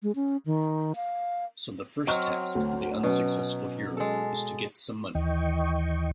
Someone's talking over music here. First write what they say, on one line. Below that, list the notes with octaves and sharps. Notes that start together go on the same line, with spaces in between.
So the first task for the unsuccessful hero is to get some money.
G#3
C#4
D#3
F5
F#3 C4 D#5 C#6 F6
D2
B2 F#3 C#4
G#3 A4
D#2 E3 D#5 G5 C#6